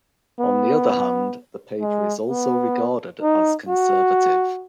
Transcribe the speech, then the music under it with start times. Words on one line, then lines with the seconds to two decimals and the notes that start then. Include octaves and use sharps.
On the other hand, the paper is also regarded as conservative.
0.40 B3
1.81 G#3
2.27 B3
3.22 D#4
3.69 F#4